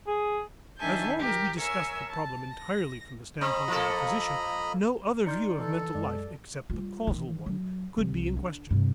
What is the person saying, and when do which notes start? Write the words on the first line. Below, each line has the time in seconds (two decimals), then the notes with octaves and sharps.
As long as we discussed the problem entirely from the standpoint of the physician, no other view of mental life except the causal one could be in question.
0.07 G#4
0.78 D#3 D4 E5 G#5 A5 G6
1.19 G4 A#4
1.58 A#4 C#5 E5 G#5 E6
2.10 A5
2.51 A#6
3.41 C4 D#5 A#5 B5
3.68 F3 A#3 A4
5.26 D#4 D5 C6 F6 G6 C#7
5.58 E3 A4
5.95 F#2 G#3 D5
6.70 G3 F4
7.07 D#3 E3
7.46 F#3
7.98 C2
8.37 D3
8.70 G2 C3